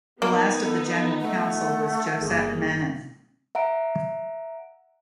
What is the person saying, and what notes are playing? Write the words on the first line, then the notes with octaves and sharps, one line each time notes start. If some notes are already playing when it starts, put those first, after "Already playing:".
The last of the General Council was Josette Manin.
A#3 B3 D#4
A4
A3 F#5
G1 A#3 G#4
E5 F#5 A#5 D7